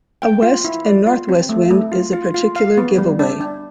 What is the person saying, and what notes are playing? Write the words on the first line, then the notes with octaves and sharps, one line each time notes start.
A west and northwest wind is a particular giveaway.
G5
F4
E4
D5
F4
C4
A3
A3
F4
F4
F4
F5
B3
G3
D4
D4